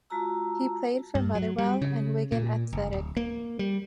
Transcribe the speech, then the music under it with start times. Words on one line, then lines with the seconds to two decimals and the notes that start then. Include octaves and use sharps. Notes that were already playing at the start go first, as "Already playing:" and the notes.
He played for Motherwell and Wigan Athletic.
0.10 G#3 F4 F#4 A5 A#5 E6
1.15 G2
1.35 F#3
1.58 G3
1.82 C#3
2.32 A#2
2.73 F#1
2.93 D1
3.17 A#3
3.59 G3